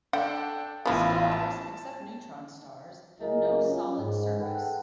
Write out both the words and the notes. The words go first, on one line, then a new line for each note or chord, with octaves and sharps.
Stars, except neutron stars, have no solid surface.
D4 A4 F#5 G5
A1 F3 B3 E4 B4
A5
C#2 F#3 E4 G#4 A#4 D#5
F3 F#3 C#4
G#2
G#4 A4 B4 F#5 G5